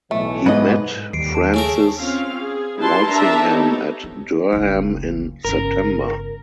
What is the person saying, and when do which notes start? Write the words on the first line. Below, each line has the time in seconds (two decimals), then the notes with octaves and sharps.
He met Francis Walsingham at Durham in September.
0.11 B1 A2 E3 A3
0.46 G#2 B4 D#5
1.13 D#2 G3 C7 D7
1.35 A5
1.54 C#3 A3 G#4 A#4 G#5
1.98 C4 C#4 F4 F5
2.38 G#4
2.76 G3 E4 B4 A5 C6
3.08 D4 A#4 E5 A5 A#5
3.43 B3 D#4 G4 A4 C#5
4.04 C4
4.52 F#1 C#2
5.45 G1 C#3 A#4